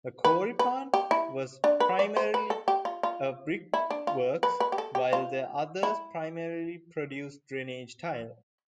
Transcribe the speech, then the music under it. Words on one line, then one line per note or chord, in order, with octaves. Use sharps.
The Cory plant was primarily a brickworks, while the others primarily produced drainage tile.
B4
B4
G4
E4
D4
B4
D5
C5
B4
A4
G4
F4
F4
E4
D4
F4
B4
B4
G4
A4
G4
F4
E4